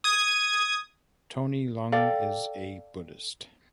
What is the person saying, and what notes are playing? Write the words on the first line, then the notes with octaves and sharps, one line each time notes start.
Tony Leung is a Buddhist.
D#6 G#6
A4 D5 F5 G5